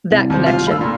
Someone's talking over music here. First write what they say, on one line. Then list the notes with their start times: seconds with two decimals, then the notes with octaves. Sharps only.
that connection,
0.11 C2
0.30 D#2 C5
0.46 F4
0.67 A3 F5 B5 E6
0.81 A#2